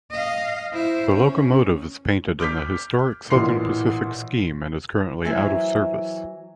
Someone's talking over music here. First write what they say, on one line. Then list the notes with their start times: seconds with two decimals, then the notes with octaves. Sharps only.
The locomotive is painted in the historic Southern Pacific scheme and is currently out-of-service.
0.11 D#5 F5
0.73 E4 C5
1.11 C#4
2.40 D6 F6 G6 B6
3.30 A1 A#2 E3 C6 C7
5.25 E3 F#3 C5 E5 G#5